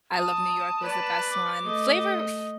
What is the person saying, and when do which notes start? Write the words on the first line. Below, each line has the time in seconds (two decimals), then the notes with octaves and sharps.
I Love New York was the best one. Flavor Fl
0.14 A5 D#6
0.81 B4 D5
1.30 D6
1.63 A3 D#5